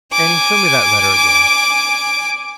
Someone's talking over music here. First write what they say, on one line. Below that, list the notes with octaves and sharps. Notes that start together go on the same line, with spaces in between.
Annie, show me that letter again.'
G#5 D6